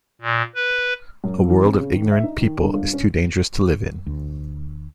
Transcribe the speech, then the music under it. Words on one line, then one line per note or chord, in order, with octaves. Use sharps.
A world of ignorant people is too dangerous to live in.
A#2
B4
F#2
F#3
E3
C4
C#3
D#3
E5
D#4
D#3
G2
G1
C#4
D2